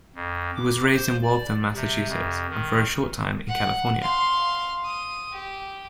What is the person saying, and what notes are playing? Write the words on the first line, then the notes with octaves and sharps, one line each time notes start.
He was raised in Waltham, Massachusetts and for a short time in California.
F2
D6
C5
D5
C3
F2
D#3
F#5
F5 C6
D#6
G4